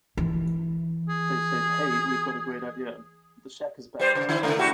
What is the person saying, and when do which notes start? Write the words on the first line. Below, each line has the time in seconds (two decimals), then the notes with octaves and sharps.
They said, Hey, we've got a great idea: 'The Shack is Back!
0.17 E3
1.09 G#4
3.99 G3 C5 D5
4.15 C#3
4.29 D3 E4
4.43 C#3 A3
4.59 E4 F#4 G4